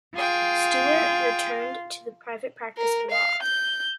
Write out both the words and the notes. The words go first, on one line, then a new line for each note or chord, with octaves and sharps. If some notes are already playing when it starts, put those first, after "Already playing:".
Stewart returned to the private practice of law.
F4 G#4 G5
A#4
F5
G6